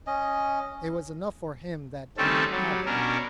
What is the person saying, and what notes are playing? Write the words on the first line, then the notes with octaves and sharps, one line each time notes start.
It was enough for him that he had it.
C#4 D#5
D#3 G3 A3 C4 C#4 A4
F#3 G3
B2 C#4 D4 A#4